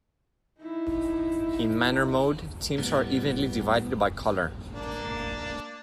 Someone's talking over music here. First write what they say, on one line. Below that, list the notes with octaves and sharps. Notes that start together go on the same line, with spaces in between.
In Manner mode, teams are evenly divided by color.
D#4 E4
A2 G3 B3
A#3 D4